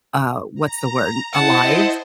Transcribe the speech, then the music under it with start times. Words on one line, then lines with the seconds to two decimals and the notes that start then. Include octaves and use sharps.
uh, what's the word? Alive,
0.55 A#5
1.33 E4 C5 D#5 F#5 A5